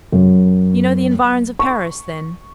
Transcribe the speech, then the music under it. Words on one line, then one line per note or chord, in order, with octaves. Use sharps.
"You know the environs of Paris, then?"
F#2
C#6